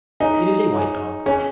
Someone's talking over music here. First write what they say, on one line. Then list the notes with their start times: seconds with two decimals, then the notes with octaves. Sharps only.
It is a white dog.
0.20 D#4 G#4 C#5 G#5
0.74 G#4 C#5 G#5
1.26 C#4 G#4 C#5 G#5